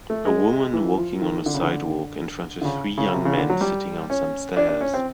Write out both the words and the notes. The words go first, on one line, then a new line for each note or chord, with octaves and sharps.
A woman walking on a sidewalk in front of three young men sitting on some stairs.
A3
G#3
E3
F3
D#3
D3
C#3
D3
D3
C#3
C#3
C3
C#3
D3
F#3
G3
C#4
D4
D4
C#4
C4